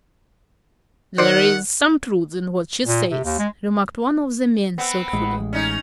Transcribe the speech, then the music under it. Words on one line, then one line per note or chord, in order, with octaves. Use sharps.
"There is some truth in what she says," remarked one of the men, thoughtfully.
D#3 C5 D5 F#5
A#2
C3
D#2
G#3
B3 C4
A1 G#3
C#4 D#4